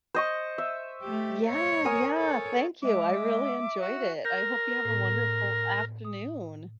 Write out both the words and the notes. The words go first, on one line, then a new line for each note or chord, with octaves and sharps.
Yeah, yeah, thank you, I really enjoyed it. I hope you have a wonderful afternoon.
C5 D#5 C#6
E5
A3 G4
C#5
A#4 G#5 D#6
A4 C#5
G#3 E5 D6
F#4
A#4 G6
A2 B3
D#6